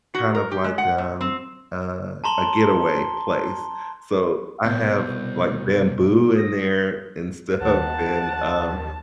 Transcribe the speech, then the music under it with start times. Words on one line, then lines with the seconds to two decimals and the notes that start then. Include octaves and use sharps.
kind of like, um a a getaway place. So, I have like bamboo in there and stuff and, um,
0.14 F#4
0.35 A#4
0.52 G4
0.64 G#3
0.78 F#5
0.98 A#2
1.21 C4
2.24 A5 A#5 C6 G7
4.65 C2 B2 B3 G6
6.36 D#6 A#6
7.61 D#2 F#5 A5